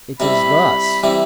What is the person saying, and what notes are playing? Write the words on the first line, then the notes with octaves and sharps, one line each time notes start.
"It is thus."
C3 G3 C4 E4 B5
C3 E3 G3 C4 E4